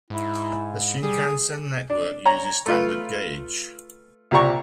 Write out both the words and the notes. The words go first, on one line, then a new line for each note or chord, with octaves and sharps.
The shinkansen network uses standard gauge.
G#2 E4
G3 G#4
D4
C#5 A#5
A3 F4 B4
C2 A#2 G4 D5 A#5 C#6